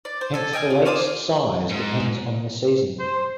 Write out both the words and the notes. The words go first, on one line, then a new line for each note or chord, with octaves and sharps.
Hence the lake's size depends on the season.
D5
C5
A4 G#5
D#5 G5 G#5 F6
F4
F4 C5 D6 D#6
G#2
C5